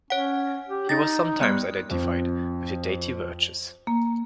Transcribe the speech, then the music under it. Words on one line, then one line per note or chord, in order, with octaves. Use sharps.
He was sometimes identified with the deity Virtus.
C#4 C#5 F#5
G4
D#4 A6 A#6
G3 B3 F#6
F2
A#3